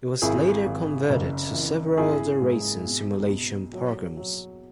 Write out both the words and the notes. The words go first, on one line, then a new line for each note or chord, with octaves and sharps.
It was later converted to several other racing simulation programs.
G#1 E4 G#4
G#1
F#1
E3
G#1 E4 G#4
G#2
B2
B2
F#3
F#3